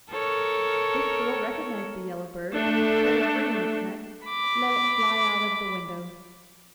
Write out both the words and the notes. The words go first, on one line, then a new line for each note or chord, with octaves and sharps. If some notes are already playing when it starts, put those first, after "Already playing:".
This girl recognized the yellow bird, and instead of wringing its neck, let it fly out of the window.
A4 A#4 C#5
A3 D4 A4
B5 D6